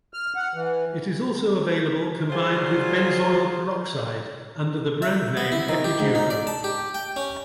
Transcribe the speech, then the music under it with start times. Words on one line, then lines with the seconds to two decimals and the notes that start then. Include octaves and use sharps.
It is also available combined with benzoyl peroxide under the brand name Epiduo.
0.14 F6
0.36 F#5
0.54 E3
2.30 F#3 G3 F4 G#4 C5
5.02 E5
5.37 B3
5.52 E4
5.69 D#3
5.84 G4
6.00 G#2
6.15 D#4
6.30 D5
6.47 A5
6.64 G4
6.94 G5
7.16 C#4